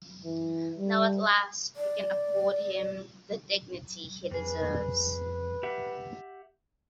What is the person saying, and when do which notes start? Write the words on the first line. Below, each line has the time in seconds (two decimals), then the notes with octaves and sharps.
Now at last we can accord him the dignity he deserves.
0.25 E3
0.78 G3
1.76 D5
4.31 F2 G#4 B4
5.63 G4 E5 F#5